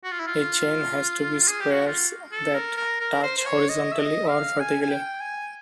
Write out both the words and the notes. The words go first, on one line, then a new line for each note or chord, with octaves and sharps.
A chain has to be squares that touch horizontally or vertically.
F#4
F4
E4
F4
G#4
G4
F#4
F4
A4
A#4
A#4
A#4
C5
C5
C#5
D#5
E5
D#5
F5
G#5
G#5
G5
G#5